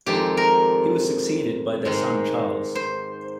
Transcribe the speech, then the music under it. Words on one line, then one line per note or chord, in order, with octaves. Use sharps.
He was succeeded by their son Charles.
F2 D#3 G#3 G4
A#4
G#2 D#3 G#3
C5